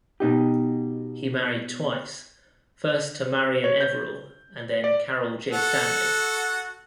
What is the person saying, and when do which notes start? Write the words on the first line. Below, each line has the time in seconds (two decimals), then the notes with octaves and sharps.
He married twice, first to Marian Everall and then Caryl J. Stanley.
0.20 B2 D#4 G4
3.64 C#5
3.81 G6
4.84 D5
5.52 F#4 A4 F#5